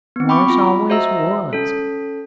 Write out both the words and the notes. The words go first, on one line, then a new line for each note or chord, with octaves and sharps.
Morris always was.
B3 C4
G5 B5 C#6 D6
F4 B5
F#4 C5 D#5 E5 A#5 E6
C#4 A4